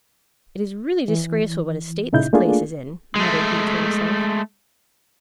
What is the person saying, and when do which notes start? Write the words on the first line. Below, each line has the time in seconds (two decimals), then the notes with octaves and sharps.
"It is really disgraceful what a state this place is in," muttered he to himself.
1.08 E3
2.13 A#2 C#3 D#4 E4 G6
2.33 A3 A#3 D4 F4 G#4
3.16 G#3 A3